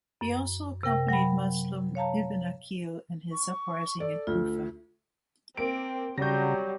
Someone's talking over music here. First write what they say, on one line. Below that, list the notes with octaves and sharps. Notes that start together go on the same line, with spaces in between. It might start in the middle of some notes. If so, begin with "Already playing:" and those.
He also accompanied Muslim ibn Aqil in his uprising in Kufa.
F#2
C3 A#4 G5 A#6
F#3 F#5 G5 B5
C#5 F5 A5 A#5
C#6
A4 D5
D2 F4
A#3 C4 D7
C#3 F#3 G3 G6 A#6